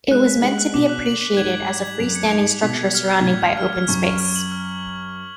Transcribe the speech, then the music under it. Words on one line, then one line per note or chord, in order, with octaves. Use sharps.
It was meant to be appreciated as a free-standing structure surrounded by open space.
G#3 F#6
B6
G#3 F#7
F#6
B2 D6
F#6
F#7
B6
G#2 G#6
G#6
G#6
G#6
F#2 F7
C#7
G#2 F7
C#7
B2 B6
G#6
F6
G#6
B2
A2 G#6
G#6
F6
F6
F#2 C#6
C#6
F6
F#7
F6